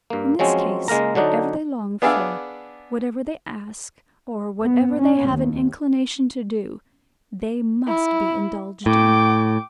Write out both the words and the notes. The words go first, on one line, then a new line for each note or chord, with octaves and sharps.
In this case, whatever they long for, whatever they ask, or whatever they have an inclination to do, they must be indulged in.
G2 A#3
F3 F#3 G#3 C4 C#4
C#2 G#3 A#3 A#4 A#5
D3 F#3 D4 D#4
B3 D4 G#4 D5 E5 F5
B3
C#4
D#2
E4
A2 G5 D6